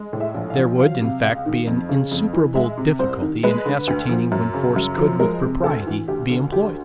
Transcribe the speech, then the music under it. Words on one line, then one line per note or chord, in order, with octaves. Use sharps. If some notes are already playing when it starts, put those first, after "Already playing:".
There would, in fact, be an insuperable difficulty in ascertaining when force could with propriety be employed.
Already playing: G#3
A2
E5
A#1
F5
F3
F#3 F5
C3
C#2
D#3
F2
C#3
F2
E3
G#3 E5
C3
C2 C5
D#3
G#3 B4
D3
D2
F3
F#2
C#3
F#2
F3
G#3 A#4
C3
D2 A4
E3
D2 G4
D3
D2 G4